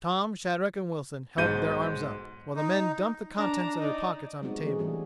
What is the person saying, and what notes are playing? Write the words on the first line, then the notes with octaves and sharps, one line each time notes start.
Tom, Shadrack, and Wilson held their arms up, while the men dumped the contents of their pockets on a table.
B1 G#2 G6 D#7
D#4
D4 A#5
D#4 D5
G3 G#3 B3 C4 D#4 F#4
E3 F3 A3 C#4 G#4
E3 G3 F#4 G#4